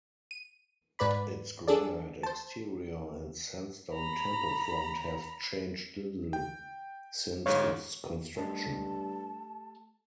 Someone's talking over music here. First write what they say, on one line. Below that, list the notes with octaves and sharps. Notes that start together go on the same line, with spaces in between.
Its granite exterior and sandstone temple front have changed little since its construction.
D#7
G#2 B4 D5 B5
D4 G#4 A4 D5
C5 A5
A#5 B5
G5
G1 G#2 C#5 F5
G2 A3 G4 D#5 A5